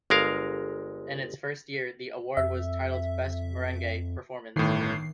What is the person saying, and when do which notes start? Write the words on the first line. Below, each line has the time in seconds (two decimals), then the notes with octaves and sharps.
In its first year the award was titled Best Merengue Performance.
0.10 G1 G#3 A#4 F5
2.37 F2 E5
4.56 G1 A2 D#3 C7